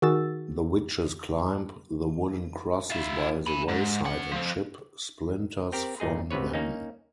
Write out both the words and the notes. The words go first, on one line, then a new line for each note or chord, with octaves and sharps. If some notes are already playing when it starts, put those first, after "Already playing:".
The witches climb the wooden crosses by the wayside and chip splinters from them.
D#3 F#4 G#4 E6 A6
F4 E5
G#5 B5
G#2
C#4 F#5
F3 C4
C4 G4 A#4
G1 A#2 D#4 G#4
G#1 C#2 C3 B4 C#5
A#3 C#4 D#4